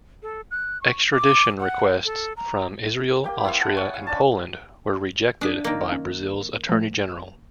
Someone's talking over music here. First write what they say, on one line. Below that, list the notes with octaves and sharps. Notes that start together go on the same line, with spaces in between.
Extradition requests from Israel, Austria and Poland were rejected by Brazil's Attorney General.
A4
F#6
C#6
D6
F#5
A4
A#5
A#3 G4 G5
B3 E4 C5 F5
F#5 A5
C#5 G#5
F5
C#4 D4 A5
D4 D#6 B6
D#3 A#3
C#4
F3 A3